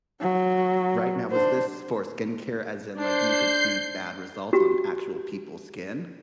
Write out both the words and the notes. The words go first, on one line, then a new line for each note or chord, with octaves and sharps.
Right now, was this for skincare as in, like, you could see bad results on actual people's skin?
F#3
D4 C5
D4 C5 G6 C7
F#4 G4